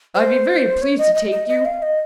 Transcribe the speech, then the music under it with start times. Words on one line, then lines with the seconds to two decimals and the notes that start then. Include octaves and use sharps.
"I'll be very pleased to take you."
0.15 C5
0.82 C#5
0.98 D#5
1.15 D#5
1.32 D#5
1.48 D#5
1.65 F5
1.82 D#5